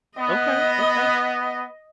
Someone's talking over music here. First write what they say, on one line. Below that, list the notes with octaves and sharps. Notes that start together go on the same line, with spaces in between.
Okay, okay.
B3 D#5